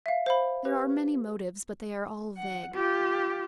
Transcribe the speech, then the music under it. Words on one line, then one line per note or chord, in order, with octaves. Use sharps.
There are many motives, but they are all vague.
E5 F5
C5 F5 B5
G4 B4
F#5
F4 G4